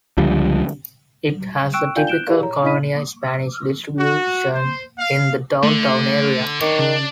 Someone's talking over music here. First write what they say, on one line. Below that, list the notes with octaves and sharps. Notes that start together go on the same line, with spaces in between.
It has the typical colonial Spanish distribution in the downtown area.
C#2 D3 F3 G3
G5 C#6 E6 F#6 D7 E7
F4 D5 F5 G5 G#5 G6
F#6 G6 D7 E7 G7
E4 G4 G#4 A#4 D5 F5
C#5 A#5
D4 E4 D#5 B5 B6 D#7
F#4
C5
F5
D3 A3
D#3 D4 C#5 D6
C#3 D4